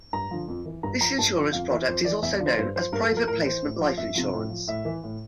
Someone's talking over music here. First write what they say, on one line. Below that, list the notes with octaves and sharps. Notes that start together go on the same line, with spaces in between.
This insurance product is also known as Private placement life insurance.
G2 A#5
D3 F3
F2
E3
G2 A#5
F3 A#5
G2 A5
D3 F3
F2 F5
E3 E5
F2 C5
E3 D5
E2 E5
D5
D3 F3
C5
G2 C5
F3 C5
G2 A#4
A4
F3
A#4
A2 A#4
E3 C5
A2
F3
F2 E5
C3 F3
A2
F3
A2 E5
E3
A2